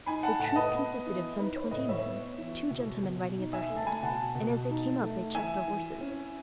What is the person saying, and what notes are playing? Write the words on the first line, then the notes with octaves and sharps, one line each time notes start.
The troop consisted of some twenty men, two gentlemen riding at their head; and as they came up, they checked their horses.
D#4 G#5 B5
F#5 A5
A2 F#5 A5
B4 D#5
B3
E3
D#4 B4
C#5
A2 B4 D#5
C#5 E5
B3
E3
B2
B2
D#4
E5 G#5
A3
A5
G#5 B5
B2 F#5 A5
B2
D#4
A3
E3 E5 G#5
E3
C#4